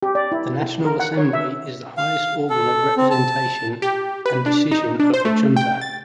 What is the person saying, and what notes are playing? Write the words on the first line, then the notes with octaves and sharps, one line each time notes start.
The National Assembly is the highest organ of representation and decision of the Chunta.
G4
D5
E4
A#4
F#5
C#5
E5
F5
A4
C4
A5
G4
B4
D4
D#4
D4
C5
A3
G5
A6